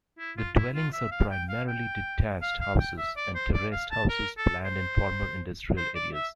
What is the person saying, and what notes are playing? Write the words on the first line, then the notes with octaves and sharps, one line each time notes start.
The dwellings are primarily detached houses and terraced houses planned in former industrial areas.
E4
F4
E4
F4
E5
F5
G5
F5
G5
F5
F5
G5
E5
D5
C5
D5
F5
A5
A#4
A4
C5
C5
D5
E5